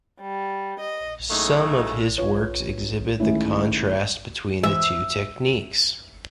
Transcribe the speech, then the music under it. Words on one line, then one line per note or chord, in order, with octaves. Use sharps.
Some of his works exhibit the contrast between the two techniques.
G3
D#5
A2 C#3 F#3 A3 A#3 D#4
F4 B4 C#5
D#3 G#3 A3 C#4 E4
E3 G#3 E5